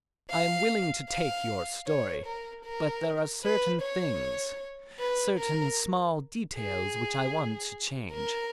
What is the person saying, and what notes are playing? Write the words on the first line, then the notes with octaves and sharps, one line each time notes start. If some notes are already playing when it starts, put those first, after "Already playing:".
"I am willing to take your story, but there are certain things, certain small details which I want to change."
F5
F5
C#5
A#4
A#4
B4
C#5
B4
A#4
G#4
A#4